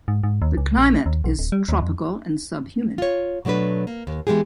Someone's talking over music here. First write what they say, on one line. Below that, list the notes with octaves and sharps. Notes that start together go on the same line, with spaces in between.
The climate is tropical and subhumid.
G#2
G#2
D#2
C#2
A#1
D#2
B1
D1
G3
D#2
F2
F4 C#5
B2 F#3 A3 D4 B4
A#3
D#2
E3 G#3 B3 G4 G#4